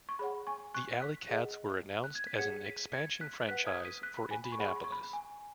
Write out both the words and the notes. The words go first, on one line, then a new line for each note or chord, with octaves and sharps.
The Alley Cats were announced as an expansion franchise for Indianapolis.
C#6
G#4 C#5 F#5 B5
G#5 C#6
C#6 F#6
F#6 B6
G#4 D#5 F#5
F#6
G#6
B6
G#4 C#5 F#5 G#6 C#7
B6 D#7
G#6 C#7
F#6 B6
B4 F#5 F#6 B6
D#6 G#6
B6 D#7
F#6 B6
B5
G#5
B5
C#6
G#4 C#5 F#5 B5
C#6
B5
C#6
B5
G#5